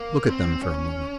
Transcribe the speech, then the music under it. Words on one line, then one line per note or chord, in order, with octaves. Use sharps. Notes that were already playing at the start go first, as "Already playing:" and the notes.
Look at them for a moment.
Already playing: A#3
C4
C#4